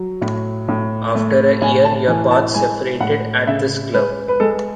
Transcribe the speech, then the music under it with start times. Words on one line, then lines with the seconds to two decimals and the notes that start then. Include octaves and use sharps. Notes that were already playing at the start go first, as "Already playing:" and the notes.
After a year, your paths separated at this club.
Already playing: F#3
0.22 A2
0.68 A2
1.15 A3
1.62 A2 G#5
1.84 A5
2.08 E3 G#5
2.31 A5
2.54 G#3 G#5
3.00 A2 F#5
3.47 C#3 E5
3.94 G#3 B4
4.28 B4
4.40 G#3 A4